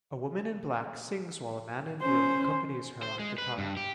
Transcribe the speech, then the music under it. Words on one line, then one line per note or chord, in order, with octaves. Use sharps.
A woman in black sings while a man in blue accompanies her on guitar.
C#4 C5
C5
G#3
B4
G2
G4